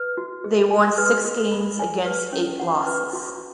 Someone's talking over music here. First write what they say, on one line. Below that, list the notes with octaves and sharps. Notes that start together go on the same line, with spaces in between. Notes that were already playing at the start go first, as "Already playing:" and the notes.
They won six games against eight losses.
Already playing: B4
F#4
G#4
G#5
B4
G#4
B5
G#5
B4
C#4
F#5
B4
F#4